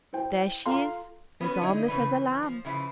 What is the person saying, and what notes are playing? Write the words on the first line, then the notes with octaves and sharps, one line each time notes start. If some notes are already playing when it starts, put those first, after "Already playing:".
There she is as harmless as a lamb.
E4 C5 G5
F4 A4 F5 A#5 C6
B3 C#4 F#4 B4
D3 D#4 E4
C#3 E3 B4
F3
C#3 F3 E4 F4 B4